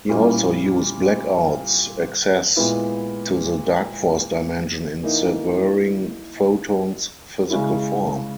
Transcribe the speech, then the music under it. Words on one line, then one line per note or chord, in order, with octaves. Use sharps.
He also used Blackout's access to the Darkforce dimension in severing Photon's physical form.
A#2 G3 C#4 E4
A#2 G#3 B3 E4
E3 A#3 D#4
C#3 G#3 C#4 E4